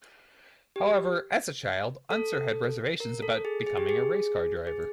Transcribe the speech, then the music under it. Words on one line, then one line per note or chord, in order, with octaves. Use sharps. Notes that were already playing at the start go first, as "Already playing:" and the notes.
However, as a child, Unser had reservations about becoming a race car driver.
G4
A4
A#4
A4
G#4
G#4
G4
G#4
G#4